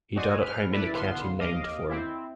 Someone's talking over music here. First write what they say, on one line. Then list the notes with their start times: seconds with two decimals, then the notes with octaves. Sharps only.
He died at home in the county named for him.
0.15 F#4 G#4 C5 D5 D#5 G#5
0.40 B4 F6
0.71 E4 A4 B4 D5
0.92 B1 D3 B3 F5 C6
1.38 D#2 D#5 F5 D6
1.88 C4 E4